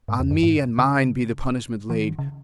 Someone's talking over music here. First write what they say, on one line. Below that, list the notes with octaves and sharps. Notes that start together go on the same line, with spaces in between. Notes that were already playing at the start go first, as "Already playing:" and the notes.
On me and mine be the punishment laid.
G#2
E2
F#2
G#2
C#3
E3
D#3
C#3